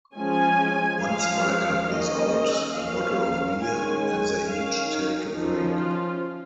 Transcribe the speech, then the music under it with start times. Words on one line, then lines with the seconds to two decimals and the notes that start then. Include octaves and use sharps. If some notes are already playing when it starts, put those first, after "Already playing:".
One striker pulls out a bottle of beer, and they each take a drink.
0.16 F3 G#3 C#4 G#5
1.02 F3 G#3 C#4 F5
1.88 D#3 A#3 C#4 D#5
2.75 F3 A#3 C#4 F5
3.62 D#3 G#3 C#4 G#5
4.04 G#5
4.48 D#3 C#4 F5
4.91 D#4
5.34 F3 C#4 D#4
5.77 F4